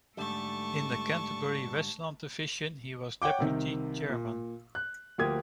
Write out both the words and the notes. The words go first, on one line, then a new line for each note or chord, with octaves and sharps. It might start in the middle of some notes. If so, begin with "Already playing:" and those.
In the Canterbury-Westland division, he was deputy chairman.
G#2 D3 G3 A3 A5 C#6
C#5 F#5 G5 D6
C2 C3 D#3
A#2
F#6
D2 F3 A#3 G4 D#6 G#6